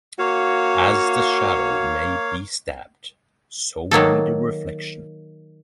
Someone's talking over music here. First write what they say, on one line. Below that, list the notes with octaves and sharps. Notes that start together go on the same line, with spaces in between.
As the shadow may be stabbed, so may the reflection.
A#3 F#4 C#5 F5
D#3 F#3 A#3 A4